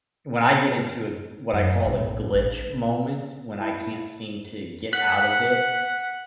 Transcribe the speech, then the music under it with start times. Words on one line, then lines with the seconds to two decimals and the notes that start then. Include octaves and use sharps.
when I get into a what I call a "glitch moment," when I can't seem to get out of it,
1.53 F#2
1.86 B1
1.98 A2
2.34 A1
3.61 E4
4.93 F#5 F#6 B6